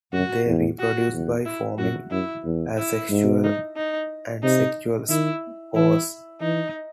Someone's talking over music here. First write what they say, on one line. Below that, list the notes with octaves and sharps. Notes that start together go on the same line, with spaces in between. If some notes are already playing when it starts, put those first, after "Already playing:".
They reproduce by forming asexual and sexual spores.
F#2 F#4
E2
F#4
E2
E4
F#2 F#4
F#2 E4
E2
E4
G#2
D#4
D#4
C3 D#4
D#3 E4
E3 E4
E3 D#4